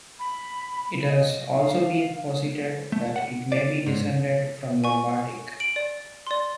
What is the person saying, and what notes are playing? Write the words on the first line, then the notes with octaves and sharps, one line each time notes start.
It has also been posited that it may be descended from Lombardic.
B5
D#5
F5
A3
F#5
D5
G#2
G#5 C#6
D7 F#7
D5
D5 C6